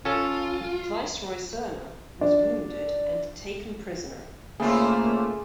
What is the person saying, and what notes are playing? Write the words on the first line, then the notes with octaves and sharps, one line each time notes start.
Viceroy Serna was wounded and taken prisoner.
C#4 F4 A4
D4
C#3 A3 A#3 C4 F4 G#4